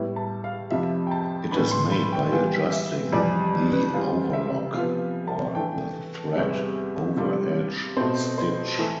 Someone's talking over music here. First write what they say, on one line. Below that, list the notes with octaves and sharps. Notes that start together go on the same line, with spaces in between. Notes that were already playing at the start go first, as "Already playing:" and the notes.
It is made by adjusting the overlock or the thread overedge stitch.
Already playing: A2 G3 B3 E4
A5
F5
F2 C3 F3 E5
G5
A5
A2 E3 B3 D4 B5
C6
B5
G5
E3 G3 B3 F4 G5
E5
F2 C3 E3 G3 D5
B4
E3 G3 C4 F4
E5
C3 F3 B3 F5
A5
E3 A3 D4 G5
E2 C3 G3 B3 E5
C3 G3 D4 F4
B2 A3 C4 C5
C5
E3 A3 E4